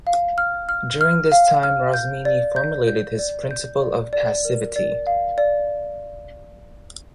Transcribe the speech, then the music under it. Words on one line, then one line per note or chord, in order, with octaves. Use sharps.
During this time Rosmini formulated his "Principle of Passivity".
F5
F6
F6
F6
F5
F6
G6
D5
G6
G6
D5
G6
D5
D5
A#4
D5
F5
D5